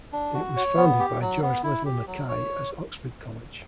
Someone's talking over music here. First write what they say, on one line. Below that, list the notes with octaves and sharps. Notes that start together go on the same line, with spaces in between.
It was founded by George Leslie Mackay as Oxford College.
D4
F#4
C#5
B3
G4
F#3
B3
E4
G4
F#3
C#5